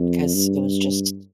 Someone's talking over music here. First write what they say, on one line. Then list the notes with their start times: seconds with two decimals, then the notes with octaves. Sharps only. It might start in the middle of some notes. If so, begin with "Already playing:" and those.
because it was just
Already playing: F2
0.34 G2